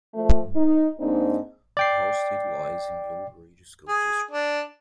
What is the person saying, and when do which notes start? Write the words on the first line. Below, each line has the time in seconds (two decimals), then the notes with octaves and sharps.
Hallstead lies in Blue Ridge School District.
0.15 F3 A3
0.56 D#4
1.00 G#2 A#3 C4 D4 D#4
1.77 D5 G5 C7
3.89 G#4
4.31 D4